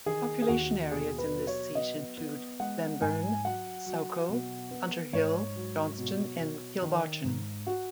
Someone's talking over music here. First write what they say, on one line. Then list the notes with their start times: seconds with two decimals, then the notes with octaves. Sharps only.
Population areas in this seat include Glenburn, Saucel and Hunterhill, Johnstone and Kilbarchan.
0.06 D#3 G#4
0.42 G#4
0.48 D#2 F#4
0.91 B2 G#4
1.18 B4
1.34 F#3
1.47 C#5
1.75 B3 D#5
2.18 B3
2.60 G#3 F#5
3.01 G#2 G#5
3.44 F#3 F#5
3.86 F#3
4.29 B2
4.71 B3
5.13 G#2 C#5
5.55 F#3
5.98 B2
6.40 B2
6.82 D#3
7.24 G#2
7.67 F#4